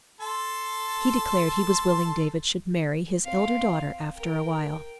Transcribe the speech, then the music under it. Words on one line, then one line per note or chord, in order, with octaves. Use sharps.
He declared he was willing David should marry his elder daughter after a while.
A4 A5 C6
C4 F5
A#4 G5